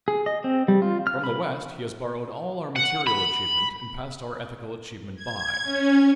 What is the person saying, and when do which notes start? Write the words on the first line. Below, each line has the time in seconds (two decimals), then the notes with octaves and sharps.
From the West he has borrowed all our material achievement and passed our ethical achievement by.
0.08 G#4
0.26 D#5
0.44 C4
0.68 G3
0.82 F4
1.07 F6
1.24 B5
2.76 F#5
3.07 B5
5.16 G#6
5.63 C#4